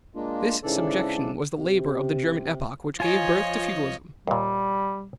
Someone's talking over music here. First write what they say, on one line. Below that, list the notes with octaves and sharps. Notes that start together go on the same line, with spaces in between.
This subjection was the labor of the German epoch which gave birth to feudalism.
G#3 A#3 D4 F4
G#2 C#3 E3 D4 A4 D5
C3
F3 F4 C#5 D#5 G#5
D#2 A#2 G3